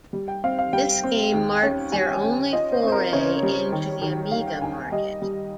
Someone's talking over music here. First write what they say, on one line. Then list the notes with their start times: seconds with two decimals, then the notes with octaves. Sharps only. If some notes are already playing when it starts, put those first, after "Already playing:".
This game marked their only foray into the Amiga market.
0.13 G3
0.28 G5
0.44 C4 F5
0.59 F5
0.73 G3 G5
1.04 C4
1.33 D#2
1.63 C#4
1.92 G3 G#5
2.08 G5
2.22 C#4 G5
2.53 F4 D#5
2.72 C5
2.82 C4
2.88 C5
2.92 A#4
3.13 C#3 C#5
3.43 G3
3.72 D#3
4.02 D#3
4.32 G3 F5
4.47 G5
4.61 D#2 G#5
4.92 G3 D#5
5.22 G3